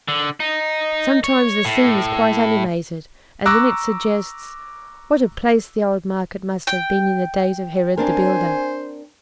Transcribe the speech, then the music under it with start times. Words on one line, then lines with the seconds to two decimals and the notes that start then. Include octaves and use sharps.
Sometimes the scene is quite animated, and then it suggests, What a place the old market must have been in the days of Herod the Builder!
0.08 D3
0.40 D#4
1.24 C#5
1.65 A2
3.45 A#5 C#6 D6 E6 F#6 A#6
6.67 G5
7.97 C4 D4 A#4 C5 G#5